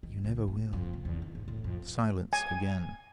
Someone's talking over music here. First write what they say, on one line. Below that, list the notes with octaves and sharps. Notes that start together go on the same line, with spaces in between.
"You never will." Silence again.
D#3
C#2
C2
A#2
F2
C3
E2
D#3
G#2
A2
F2
G#5